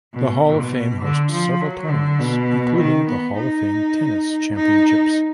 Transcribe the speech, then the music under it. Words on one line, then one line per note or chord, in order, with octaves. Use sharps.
The Hall of Fame hosts several tournaments, including the Hall of Fame Tennis Championships.
B2
B2
D3
F3
F#3
D3
B2
D#3
B3
D#4
D#4